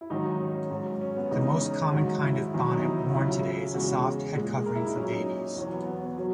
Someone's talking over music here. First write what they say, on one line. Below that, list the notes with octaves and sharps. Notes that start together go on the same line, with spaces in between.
The most common kind of bonnet worn today is a soft headcovering for babies.
E4
G#2 D#3 F#3 D#4
C#4
G#2 F#3
C#4
B3
E2 C#3 G#3 D#4
C#4
D#4
G#2 D#3 F#3
E4
E2 D#3 F#3
D#4
E4
F#4
C#2 C#3 F#3 E4
E2 C#3 G#3 F#4
A#2 G#3 G#4
A#4
E4
D#4
A#2 F#3 C#4
D#4
E2 B2 F#3
B3
B3
B2 F#3